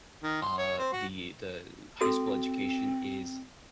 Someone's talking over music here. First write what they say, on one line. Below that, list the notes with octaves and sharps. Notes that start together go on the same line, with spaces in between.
uh, the the high school education is
D#3
C6
C#5
C4
F#4
C4 F#4 A4 E6